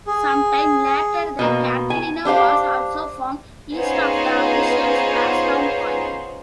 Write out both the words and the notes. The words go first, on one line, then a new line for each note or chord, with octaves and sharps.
Some time later the Catalina was also found, east of the official splashdown point.
G#4
B2 A#3
G#5
D4 G4 C5 F5
B3 C#4 D#4 F4 G#4 C5